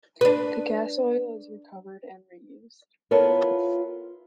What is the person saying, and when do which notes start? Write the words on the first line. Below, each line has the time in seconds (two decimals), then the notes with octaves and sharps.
The gas oil is recovered and re-used.
0.21 D4 B4
3.11 B3 E4 F4 A4 A#4 C#5